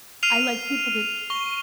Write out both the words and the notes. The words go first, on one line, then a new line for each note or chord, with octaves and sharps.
I like people to
F6 C7 D#7 F7
C#6 G7